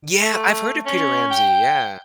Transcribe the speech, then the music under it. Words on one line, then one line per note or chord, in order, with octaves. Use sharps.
Yeah, I've heard of Peter Ramsey, yeah.
A3
C#4
G5